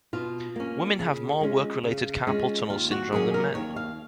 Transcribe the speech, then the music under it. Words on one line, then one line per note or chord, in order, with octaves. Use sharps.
Women have more work-related carpal tunnel syndrome than men.
B2 F4
A#3 C#4
C#3
G#3 C#4 F4
C#3
G#3 C#4 F4
D#2 F4
F#4
D#3 F#3 A#3 C#4 G#4
A#4
D#2 C#5
F5